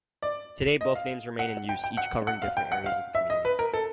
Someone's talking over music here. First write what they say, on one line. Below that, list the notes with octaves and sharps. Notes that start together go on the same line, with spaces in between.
Today, both names remain in use, each covering different areas of the community.
D5
D#5
F5
F#5
G5
G5
F#5
F#5
F5
G5
F#5
F5
E5
D#5
B4
A#4
A4